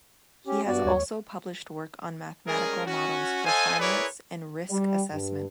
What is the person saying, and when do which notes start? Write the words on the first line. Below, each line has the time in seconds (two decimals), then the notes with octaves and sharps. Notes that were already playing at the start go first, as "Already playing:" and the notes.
He has also published work on mathematical models for finance and risk assessment.
0.47 C#4 G4
0.67 G2 B3 F#4 D5
0.84 D#2 G3 C#5
2.48 G3 G#3 C#4 G#4 A#4
2.86 C#4 F#4
3.45 A4 C5 D#5 F5 G#5
3.79 E4 G#4 A#4 B4 C#5 D5
4.70 G3
5.13 G2